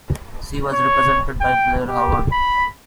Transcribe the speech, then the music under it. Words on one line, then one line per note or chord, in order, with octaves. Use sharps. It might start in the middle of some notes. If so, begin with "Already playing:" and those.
She was represented by Blair Howard.
C#5
G5
G4
B5